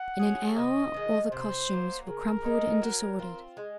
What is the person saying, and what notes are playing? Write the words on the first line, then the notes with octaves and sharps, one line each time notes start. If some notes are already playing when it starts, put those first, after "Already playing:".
In an hour, all the costumes were crumpled and disordered.
Already playing: F#5
F#3 C#4 G#4
C3 D#5
D#3 G#3
C3 C5
F#3 A#3
C#3 A#4
G#3 D#4
F#3
C4 F4
G#3